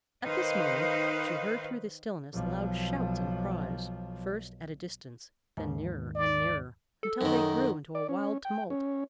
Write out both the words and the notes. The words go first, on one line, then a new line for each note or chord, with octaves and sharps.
At this moment, she heard through the stillness loud shouts and cries, first at a distance, then nearer and nearer, until they grew into a wild tumult.
D#3 D#4 B4 C5 F5
B1 F3
D#2 G#2 D#3
D5
A4
F#2 D#3 D#4
D5
C#4
G5
C#4